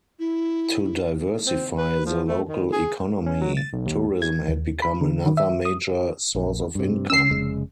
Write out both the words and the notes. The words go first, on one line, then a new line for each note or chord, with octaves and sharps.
To diversify the local economy, tourism had become another major source of income.
E4
C4
B4
F3
A3
D#3
G#4
C#4
F#3
A6
B1
D#2
G#6
D#2
B5
D3
D#3
E5
D#6
A#1
G2 C3
C#4 E6 C7
F1 C#3 G#3